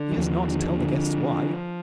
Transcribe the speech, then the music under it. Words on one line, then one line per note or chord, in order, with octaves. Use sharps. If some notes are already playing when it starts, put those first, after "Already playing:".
He does not tell the guests why.
Already playing: D3
E3
D#2 F3
D3
D3